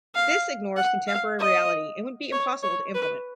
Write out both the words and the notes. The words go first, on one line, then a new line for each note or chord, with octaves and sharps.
This ignores contemporary reality and would be impossible to implement.
F5
F#5
F5
D#5
C#5
C#5
B4